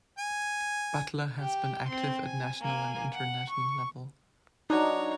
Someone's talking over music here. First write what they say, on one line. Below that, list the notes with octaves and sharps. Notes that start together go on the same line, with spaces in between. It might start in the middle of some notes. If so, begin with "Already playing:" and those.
Butler has been active at national and international level.
G#5
G4 G5
C4 C6
G#5
A#3 G#5
F#5
C#6
F#3 D4 D#4 C#5 A#5